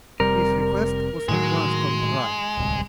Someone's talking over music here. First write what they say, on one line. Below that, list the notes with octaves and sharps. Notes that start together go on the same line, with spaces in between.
His request was at once complied with.
F1 C3 G3 A#4
A2 D#3 F#3 G#3
D1 C2